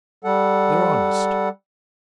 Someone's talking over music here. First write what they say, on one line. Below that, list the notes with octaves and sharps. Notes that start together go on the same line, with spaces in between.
They're honest.
G3 A4 F#5